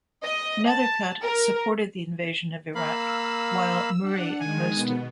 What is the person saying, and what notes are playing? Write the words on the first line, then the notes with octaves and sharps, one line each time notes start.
Nethercutt supported the invasion of Iraq, while Murray opposed it.
D#5
A5
A#4
A#3 F5 B5 E6
D4 F#5
D#3 G#3 G#5
B2 B3